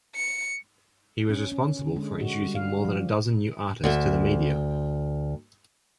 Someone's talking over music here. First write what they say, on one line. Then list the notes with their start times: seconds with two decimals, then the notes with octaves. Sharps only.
He was responsible for introducing more than a dozen new artists to the media.
0.15 C#7
1.29 C#4
1.52 C#4
1.79 D3
1.96 G#3
2.20 F#4
2.44 G3
2.55 F5
2.85 F3
3.84 D2 E5